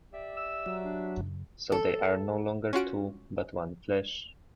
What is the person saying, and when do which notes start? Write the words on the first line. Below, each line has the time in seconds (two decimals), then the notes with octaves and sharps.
So they are no longer two, but one flesh.
0.13 G4 D5 E5
0.37 E6
0.66 F#3
0.84 D4
1.17 F#2 C#3
1.72 A4
2.73 C#4 F4 F#4 D7